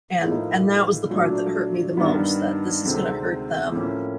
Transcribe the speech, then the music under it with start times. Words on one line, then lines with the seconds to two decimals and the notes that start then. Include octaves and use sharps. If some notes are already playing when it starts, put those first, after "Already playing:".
And and that was the part that hurt me the most that this is gonna hurt them.
0.22 A2 F3 A#3 D#4
1.10 A#2 F#3 A3 D4
1.97 G2 D#3 G3 B3
2.85 D2 C3 D#3 G#3 C4
3.72 A2 F3 A#3 C#4